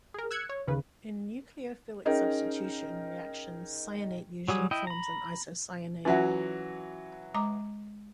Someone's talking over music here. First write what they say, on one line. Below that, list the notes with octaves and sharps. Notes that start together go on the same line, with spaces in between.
In nucleophilic substitution reactions cyanate usually forms an isocyanate.
G#4 A#4
E6 F#6 G#6 C#7
C#5
D#2 C#3 B4
C#4 D#4 G#4 A#4 G5
F#3 G3 G#4
E4 D#5 G5
A#5 B5
E3 F#3 C#4 F4 F#4 E5
G#3 A#5 D6